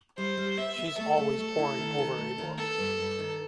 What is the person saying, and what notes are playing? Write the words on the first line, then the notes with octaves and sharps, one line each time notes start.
She’s always poring over a book.
G3 C5
G3
B3 E5
B3
A3 A4
A3
A3
E4
D#3
D#3
A3
D#3
B3 A4
G2
G2
D#3